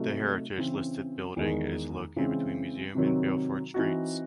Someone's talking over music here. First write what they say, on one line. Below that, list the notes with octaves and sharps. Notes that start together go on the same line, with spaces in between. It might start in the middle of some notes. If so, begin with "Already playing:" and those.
The heritage listed building is located between Museum and Beaufort Streets.
Already playing: C3 F#3 A3 D#4 F#4
C#3 E3 C4
E2 D#3 G#3
C#3 E3 G#3 C4
C3 D#3 F#3 C4 F#4
E3 C4 D#4 F#4